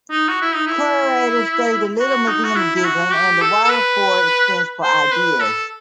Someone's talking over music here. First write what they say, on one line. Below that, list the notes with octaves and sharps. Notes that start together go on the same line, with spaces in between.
Curators studied the Little Museum of Dublin and the Waterford Experience for ideas.
D#4
F#4
E4
D#4
E4
F#4
D#4
F#4
E4
E4
F#4
G4
A4
A4
B4
C5
B4
A4